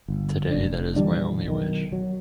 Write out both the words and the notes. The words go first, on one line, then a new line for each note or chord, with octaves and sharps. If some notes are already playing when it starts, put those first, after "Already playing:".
Today that is my only wish.
G1
F1 D4
A#2 E3 G3 D4
B1 D#3
F#3